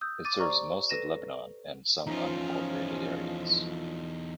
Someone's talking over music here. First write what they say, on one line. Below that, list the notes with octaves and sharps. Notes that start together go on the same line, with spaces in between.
It serves most of Lebanon and some unincorporated areas.
D#6 E6 G6
D6 A6 D#7
G4 C5 D5 A#5 C#6 D6
D5
A4 B4 A#6 D#7 E7
E2 F3 C#4 D#4 F4